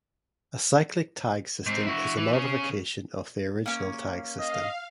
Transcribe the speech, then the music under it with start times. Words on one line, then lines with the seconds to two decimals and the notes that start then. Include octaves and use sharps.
A cyclic tag system is a modification of the original tag system.
1.66 G#2 C4
1.87 E4 F#4
2.17 E3
2.33 C#3 C#4
3.66 A#3 C#4
4.39 D#5 F5